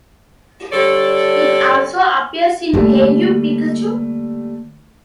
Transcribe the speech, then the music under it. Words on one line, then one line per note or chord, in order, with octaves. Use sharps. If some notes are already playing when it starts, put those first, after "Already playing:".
It also appears in Hey You, Pikachu!
D3 G3 A4 C#5 D5
D3 G3 A3 A#3